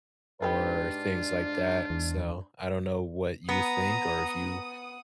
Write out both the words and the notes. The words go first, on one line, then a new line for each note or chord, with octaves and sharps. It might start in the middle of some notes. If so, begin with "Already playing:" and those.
or things like that. So I don't know what you think or if you
G#2 D4 D#4 F4 G4 B4
E2
B3 F#5 A#5 D#6